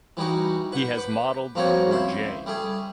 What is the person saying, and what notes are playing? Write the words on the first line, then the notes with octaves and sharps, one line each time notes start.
He has modeled for J.
E3 G3 D#4 F#4
B4 F#5 G5
B4 D6
G2 F3 A#3 C4 F#4 C#5
C#2 E4 C5
G3 A3 G#4